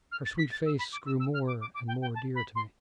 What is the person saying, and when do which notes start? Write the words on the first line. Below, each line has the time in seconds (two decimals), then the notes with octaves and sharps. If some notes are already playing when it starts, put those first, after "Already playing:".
Her sweet face grew more and more dear to me.
0.11 F6
0.25 A6
0.38 B6
0.51 A6
0.65 E6
0.79 B5
0.92 D6
1.06 E6
1.19 E6
1.33 F6
1.47 D6
1.61 D6
1.74 D6
1.88 G5
2.01 G5
2.15 A5
2.35 B5
2.55 C6